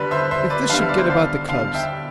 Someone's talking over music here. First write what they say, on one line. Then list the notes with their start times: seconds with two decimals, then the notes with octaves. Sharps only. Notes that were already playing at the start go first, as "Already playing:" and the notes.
If this should get about the clubs!
Already playing: D3 G3 D4 B4
0.11 C5 E5
0.31 C5 E5
0.50 B4 D5
0.70 D3 G3 D4 F5
0.79 E5
0.89 D5
0.98 C5 E5
1.10 D5 F5
1.49 D3 G3 D4 F5 A5
1.75 E5 G5